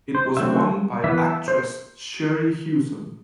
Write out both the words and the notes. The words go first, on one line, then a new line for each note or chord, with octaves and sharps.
It was won by actress Sherrie Hewson.
C5
D3 F#3 A3 C4 E5
E3 B3 E5
E5
C5